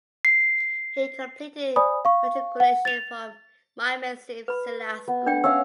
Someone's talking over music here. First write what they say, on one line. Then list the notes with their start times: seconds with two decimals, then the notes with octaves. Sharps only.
He completed matriculation from Mymensingh Zilla School.
0.25 C7
1.76 C5 D5 G#5 B5 D#6
2.05 F5 C#6
2.60 F#5
2.85 A6 F7
4.48 B4 B5
5.08 B3
5.26 D4 D5 G5
5.44 C#4 E5 F5 E6